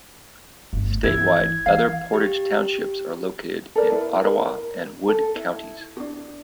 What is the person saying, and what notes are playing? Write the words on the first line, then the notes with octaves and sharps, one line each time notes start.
Statewide, other Portage Townships are located in Ottawa and Wood counties.
G1 A3
E3 E4 G#6
E3 F5
G4
A4 A#4 D5
E4 B4
A#4 B5
A4
E4
D4 F#4